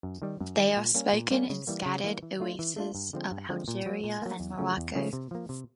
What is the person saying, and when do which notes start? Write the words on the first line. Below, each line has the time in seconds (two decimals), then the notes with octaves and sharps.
They are spoken in scattered oases of Algeria and Morocco.
0.03 F#2
0.22 D#3 G3
0.40 F#2
0.58 D#3 G3
0.77 A#2
0.94 G3 A#3 C#4
1.13 A#2
1.31 G3 A#3 C#4
1.49 C#3
1.67 E3 G3 A#3
1.86 C#3
2.04 E3 G3 A#3
2.23 E3
2.40 A3 D4 F4
2.59 E3
2.76 A3 D4 F4
2.95 G2
3.13 D3 F3 G#3 C4
3.31 G2
3.49 D3 F3 G#3 C4
3.68 A#2
3.86 F#3 A#3
4.04 A#2
4.22 F#3 A#3
4.40 E2
4.58 C#3 F3 A3 C#4
4.77 E2
4.95 C#3 F3 A3 C#4
5.13 C3
5.31 F3 A#3
5.49 C3